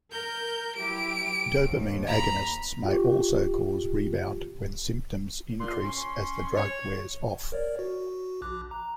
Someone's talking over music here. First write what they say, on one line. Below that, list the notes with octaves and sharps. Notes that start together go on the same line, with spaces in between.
Dopamine agonists may also cause rebound when symptoms increase as the drug wears off.
A#4 G6
F#3 E4 G4 D7
D#2
A#5 B5
F4 G4
A#2 C6
C#4
C#5
A#4 C#5 D5
F#4
A#1 D6 F#6
A#5